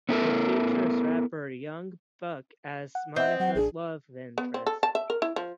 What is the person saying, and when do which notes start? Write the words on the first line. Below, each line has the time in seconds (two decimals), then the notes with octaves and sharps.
It features rapper Young Buck as Monica's love interest.
0.09 B3 C#4 E4 F4 A4 A#4
2.95 F#5
3.16 C4 D#5 E5 F#5
3.40 F#3 F#5
3.55 A1 D4 G#4
4.38 B3
4.54 C4
4.66 A4
4.83 A5
4.95 E5
5.10 A#4
5.22 E4
5.36 F3